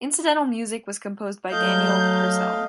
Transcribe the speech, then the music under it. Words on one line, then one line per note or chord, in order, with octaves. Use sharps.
Incidental music was composed by Daniel Purcell.
F#3 A3 D#5 F5 G6